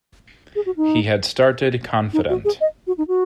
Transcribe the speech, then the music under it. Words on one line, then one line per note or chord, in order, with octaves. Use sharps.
He had started confident.
G#4
F#4
D#4
D#4
F#4
G#4
D#5
F#4
D#4
F#4